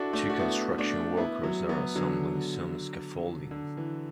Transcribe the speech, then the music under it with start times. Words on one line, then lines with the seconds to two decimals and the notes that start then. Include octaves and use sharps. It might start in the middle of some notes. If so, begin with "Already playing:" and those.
Two construction workers are assembling some scaffolding.
Already playing: D4 E4 F#4 A4
0.13 A3 D4
0.30 F#4
0.39 B3 E4
0.78 A3 D4
1.17 B3 E4
1.43 F#3 B3
1.69 F#3 B3
1.96 D3 F#3
3.51 D3
3.77 E3